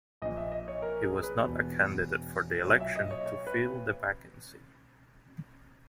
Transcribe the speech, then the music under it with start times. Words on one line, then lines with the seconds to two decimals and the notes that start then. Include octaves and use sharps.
He was not a candidate for the election to fill the vacancy.
0.22 A#1 A#2 D#5
0.37 E5
0.52 D#5
0.68 C#5
0.82 A#4
1.03 G#4
1.23 B4
1.44 E1 E2 B2
2.65 B1 A#2 C#5
2.80 E5
2.96 D#5
3.11 C#5
3.26 C#5
3.47 B4